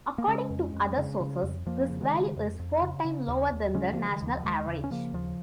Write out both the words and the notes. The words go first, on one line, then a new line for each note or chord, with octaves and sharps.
According to other sources, this value is four times lower than the national average.
A#3
C#3 G#3 C#4
F2
F2
C#3
C#3
F2
F2 F3 A#3
C#3
D#3 G#3
C#3
F2
F2
C#3
C#3
D#2
D#2
C#3 G#3 C#4
F3 A#3
C#3
D#3 G#3
D#2 D#3
F3
F3
D#2 D#3 G#3
C#3
C#4
C#3 F3 A#3
D#2 F3